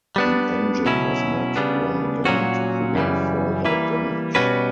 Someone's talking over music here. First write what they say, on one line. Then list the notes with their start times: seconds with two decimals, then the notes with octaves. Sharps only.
The engine was not run again to prevent further damage.
0.16 G3 B3 D4
0.86 B2 F#3 C#4 E4
1.56 C#3 G3 B3 D4
2.25 A#2 F#3 C#4 F#4
2.95 F#2 C#3 E3 G3
3.65 E3 G3 A#3 E4 B4
4.35 B2 G3 C#4 F#4 B4